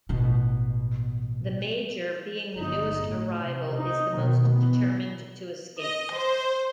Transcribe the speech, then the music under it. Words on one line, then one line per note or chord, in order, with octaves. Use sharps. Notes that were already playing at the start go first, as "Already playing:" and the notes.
The major, being the newest arrival, is the most determined to escape.
A1 B2
G1 D#4
A2
C3
D#4
B2 D#3
E3 B3
D#5
C5